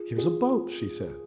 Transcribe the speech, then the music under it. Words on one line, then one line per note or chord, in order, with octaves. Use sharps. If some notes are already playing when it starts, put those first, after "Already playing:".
"Here's a boat!" she said.
Already playing: F4 G#4
F4 G#4